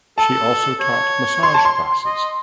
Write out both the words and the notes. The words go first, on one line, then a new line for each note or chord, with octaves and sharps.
She also taught massage classes.
A4 A5
C#5
C6
A5
C6
D#5